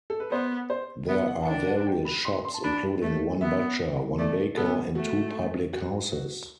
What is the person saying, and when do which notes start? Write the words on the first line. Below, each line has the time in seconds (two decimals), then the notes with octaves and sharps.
There are various shops including one butcher, one baker and two Public Houses.
0.10 A4
0.20 B4
0.31 B3 C5
0.70 C5
1.09 B3 E5
1.28 F#5
1.42 A5
1.47 D4 G5
1.67 F#5
1.87 G5
2.05 B5
2.25 C6
2.45 C6
2.54 A5
2.64 D4 B5
3.02 A3
3.41 B3 E5
4.19 A3 D5
4.57 B3 A4
4.95 A3 F#4
5.73 F#4
6.12 F#4